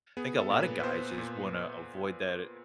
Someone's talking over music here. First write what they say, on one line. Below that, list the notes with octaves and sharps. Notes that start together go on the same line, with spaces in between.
I think a lotta guys just wanna avoid that a
B3 G#4
A4
A#2
B4
B4
B3 C5
A#2